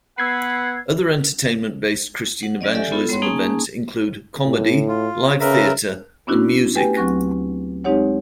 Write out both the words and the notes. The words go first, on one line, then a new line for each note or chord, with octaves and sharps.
Other entertainment-based Christian evangelism events include comedy, live theater and music.
B3 B4 F#5 E6 G#6 C7
F#5
F#3 C#4 D5 D#5
G4 A4 D5 E5 F#5 G#5
G#3 B3 E4 F4 A4 B5
G3 B3 C#5 F#5 C6
A#3 C#4 D#4 G#4 G#5 A5
A2
F4
C#3 A#4 B4 E5
B3 C#4 D4 E4 F#4
A3 G4 B4 G5 G#5
D2 F#3 C4 C#6 F#6 A#6
G#3 C4 D#4 G4 C#5 F#5